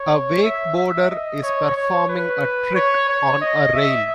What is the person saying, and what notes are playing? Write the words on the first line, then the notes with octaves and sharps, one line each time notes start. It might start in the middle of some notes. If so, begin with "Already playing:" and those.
A wakeboarder is performing a trick on a rail.
Already playing: C#5
E5
E5
D#5
C#5
C#5
B4
C#5
C#5
D#5
E5